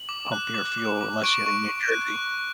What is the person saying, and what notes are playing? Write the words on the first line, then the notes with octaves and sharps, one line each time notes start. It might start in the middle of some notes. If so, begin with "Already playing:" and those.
pump your fuel, unless you're in New Jersey.
Already playing: F#7
D6
F#6
D6
D6
D6
C#6 D7
C#6
C#6
F#6
C#6